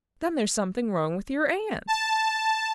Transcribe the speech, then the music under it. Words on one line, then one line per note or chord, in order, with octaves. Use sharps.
"Then there's something wrong with your aunt!"
A5